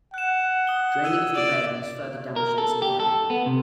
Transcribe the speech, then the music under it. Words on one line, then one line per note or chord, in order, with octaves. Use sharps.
Draining of the bay has further damaged its environment.
F#5 F#6 E7
D#6 G7
E6 G#6 D#7
D5
A#4
A4
G4
A4
B3
C3